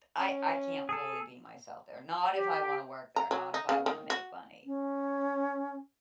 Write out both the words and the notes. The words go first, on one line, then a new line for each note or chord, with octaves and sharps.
d I I can't fully be myself there, not if I wanna work there, not if I wanna make money.
C#4
G#4 A4
G4
A#5
F#3
D#4
C#3
D#3
F#4
C#4